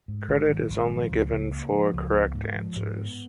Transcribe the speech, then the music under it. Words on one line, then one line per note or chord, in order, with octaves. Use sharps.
Credit is only given for correct answers.
G#2
G#1
F#3
G#1
F3
C#2
C#3
A#3
F3
C#2
B3
G#2
F3
G#2
B3